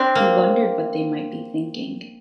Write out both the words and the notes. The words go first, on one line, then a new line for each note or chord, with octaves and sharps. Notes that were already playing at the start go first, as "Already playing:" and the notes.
He wondered what they might be thinking.
Already playing: C4 D4
A#3